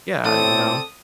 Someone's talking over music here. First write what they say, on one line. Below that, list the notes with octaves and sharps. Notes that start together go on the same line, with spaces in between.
yeah, you know?
A2 C4 A4 D5 D#6